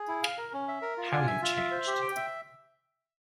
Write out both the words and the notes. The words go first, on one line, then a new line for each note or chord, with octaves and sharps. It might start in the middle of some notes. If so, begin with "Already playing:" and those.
How you've changed!
Already playing: G#4
E4
F5
A#4
C#4
E5
A#4
F4
G#5
E5
F4
E5
C5
G4
G5
E5